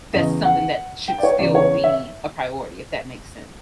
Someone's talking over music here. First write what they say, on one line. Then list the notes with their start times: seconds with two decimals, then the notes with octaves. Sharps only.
that's something that should still be a priority, if that makes sense.
0.14 E2 C#3 E3 D#5
0.45 F#5
1.08 G5
1.18 D5
1.23 C#5
1.39 E2 C#3 E3 D5
1.55 C#5
1.84 E5